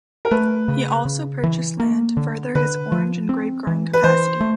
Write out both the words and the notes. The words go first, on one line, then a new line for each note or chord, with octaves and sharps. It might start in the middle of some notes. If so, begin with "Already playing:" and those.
He also purchased land to further his orange and grape growing capacity.
A#4
A3 B4
C#3
C#3
E3
A#3
D3
D3 B4
F3
C4
E3
B4
E3 C5
A3